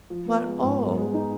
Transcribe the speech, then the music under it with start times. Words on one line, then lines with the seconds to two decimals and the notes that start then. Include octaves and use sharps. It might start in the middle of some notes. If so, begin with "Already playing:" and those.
But oh!
0.10 F3
0.27 B3
0.45 G#3
0.62 G#2
0.80 B3
0.97 G#3
1.14 D#4